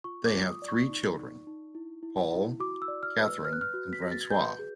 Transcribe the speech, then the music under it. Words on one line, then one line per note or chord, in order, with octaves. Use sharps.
They have three children: Paul, Catherine and Francois.
F4 C#6
D6
F4
D#6
D5
C#6
D#4
D#4
D#4
E4
E4
E4
F#4 D6
E6
D5
F6
B4
E6
B4 F6
F#6
F6
F#4
B6
F#4 A#6
A6
G#6
B4 G6
G#4